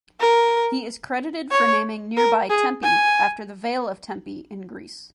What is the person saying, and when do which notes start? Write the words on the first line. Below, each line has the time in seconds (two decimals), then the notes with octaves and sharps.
He is credited for naming nearby Tempe after the Vale of Tempe in Greece.
0.20 A#4
1.51 C#5
2.17 A#4
2.50 G#4
2.83 G#5